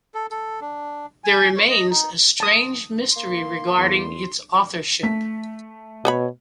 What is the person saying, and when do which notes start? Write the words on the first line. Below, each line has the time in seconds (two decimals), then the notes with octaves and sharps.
There remains a strange mystery regarding its authorship.
0.14 A4
0.31 A4
0.61 D4
1.24 G#5
1.56 C#5
1.70 D#5
1.90 D#4
2.40 A5 D#6
3.16 A#3 C6
3.78 E2
5.03 A3 B6
6.05 B2 B4 C#5 B5